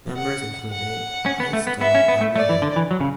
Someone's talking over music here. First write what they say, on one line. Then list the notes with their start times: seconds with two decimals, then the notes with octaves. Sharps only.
Members included Ice Dog, L. A.
0.17 F#5
0.71 F#5
1.26 C#4
1.40 B3
1.53 A3
1.67 B3
1.81 B3 E5
1.95 C#4
2.08 B3
2.21 A3
2.35 A3 D5
2.49 E3
2.62 D3
2.76 E3
2.91 F#3
3.01 C#3